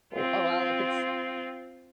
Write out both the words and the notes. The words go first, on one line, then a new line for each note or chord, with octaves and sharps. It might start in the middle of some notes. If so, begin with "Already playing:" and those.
O oh, well, if it's
C4 F4